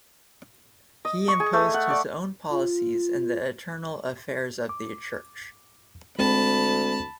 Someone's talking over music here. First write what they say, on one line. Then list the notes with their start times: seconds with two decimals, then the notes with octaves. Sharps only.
He imposed his own policies in the internal affairs of the Church.
1.05 D#5
1.28 C#6
1.40 G#4
1.53 A3
1.74 F#5
1.90 D5
2.51 F4
4.69 D6
6.19 D2 G#3 C4 A5 B5